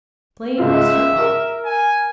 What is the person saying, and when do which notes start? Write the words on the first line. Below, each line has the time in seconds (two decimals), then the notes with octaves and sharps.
Plain Oyster Pie.
0.58 C#2 G#2 F4 E5
1.18 A#4
1.66 G#5